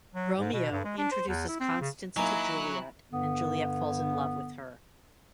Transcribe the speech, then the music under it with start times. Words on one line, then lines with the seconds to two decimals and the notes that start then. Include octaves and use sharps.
Romeo introduces Constance to Juliet, and Juliet falls in love with her.
0.15 F#3
0.38 G#2
0.53 B2
0.71 G2
0.85 G#3
0.98 D4
1.11 C5
1.28 E2
1.49 E4
1.60 C4
1.81 C#3
2.17 F#3 A#3 D#4 E4 G#5 A#5 F#6
3.12 G2 D3 B3